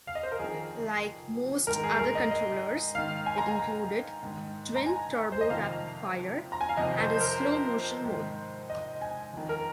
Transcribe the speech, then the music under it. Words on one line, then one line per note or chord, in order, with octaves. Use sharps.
Like most other controllers, it included twin turbo rapid-fire and a slow motion mode.
F5
D#5
C5
A#4
F2 D#3 G#4
G#2 D#3 A#4
G#4
A#4
D#5
D#5
G#2 D#3 F5
G#5
A#5
G#5
G#2 D#3
A#5
G#5
C5
D#5
F2 C3 D#3 F5
A#5
G#5
F5
F2 C3 D#3 D#5
C5
C5
A#4
C5
G#2 D#3
D#5
G#5
F2 D#3
A#4